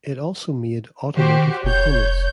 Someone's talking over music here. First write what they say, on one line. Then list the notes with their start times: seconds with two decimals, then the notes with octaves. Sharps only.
It also made automotive components.
1.17 D#3 F#4 G4 C5
1.64 F1 C#5 G6